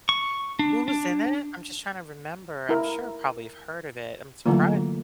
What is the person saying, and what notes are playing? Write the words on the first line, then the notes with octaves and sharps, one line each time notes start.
Who was in it? I'm just trying to remember, I'm sure probably I've heard of it, I'm surpri
C#6
D4
D4
E4 A#4
D3 E3 F#3 A3 A#3 F4